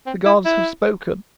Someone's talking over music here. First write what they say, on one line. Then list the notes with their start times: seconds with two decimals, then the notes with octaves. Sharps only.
The gods have spoken.
0.06 C4
0.26 E4
0.45 E4